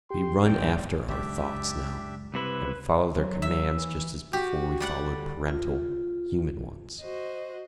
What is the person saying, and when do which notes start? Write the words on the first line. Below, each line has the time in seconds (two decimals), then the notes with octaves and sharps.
We "run after our thoughts" now, and follow their commands just as before we followed parental, human ones.
0.10 G4 G5 C6
0.45 B1 E2 G#2 D5 G5
1.08 F#1 C#2 D4 G4 E5
2.34 C2 C3 E4 B4
3.16 F#3
3.42 E5
3.75 E3
4.33 F#4 G4
4.80 G3 D5 F#5
5.11 D3
5.48 F4
7.01 F#4 C5 D#5